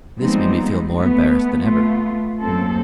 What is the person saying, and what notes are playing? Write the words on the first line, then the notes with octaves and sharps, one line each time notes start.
This made me feel more embarrassed than ever.
F3 G3 G#3 B3 C4 D#4
A3 B3
A3 B3 F4
F#2 A#3 C4 A4